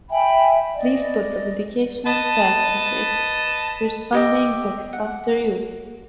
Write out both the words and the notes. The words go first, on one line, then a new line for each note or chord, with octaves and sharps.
Please put the medication back into its corresponding box after use.
E5 G5 G#5 B5
D5 D#5
B4 D#5 A5
G4 D#5 E5
F#5